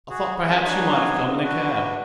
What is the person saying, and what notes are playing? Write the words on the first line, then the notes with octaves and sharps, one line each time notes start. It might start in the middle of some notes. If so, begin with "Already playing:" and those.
I thought perhaps you might have come in a cab.'
F#4 G#4
C#4 E4 B4 E5 G#5
D4 D#4 F#4 G#4 B4 C#5
A#3 C4
D4 F#4 B4